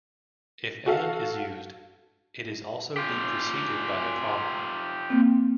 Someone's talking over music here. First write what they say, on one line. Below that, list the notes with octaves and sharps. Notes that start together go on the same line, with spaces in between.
If "and" is used, it is also be preceded by a comma.
F#4 A4 F5
F4 G4
A#3 C4